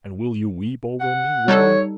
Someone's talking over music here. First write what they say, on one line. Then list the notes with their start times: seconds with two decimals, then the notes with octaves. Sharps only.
"And will you weep over me, will you?"
1.01 F#5
1.48 G3 D#4 A4 C#5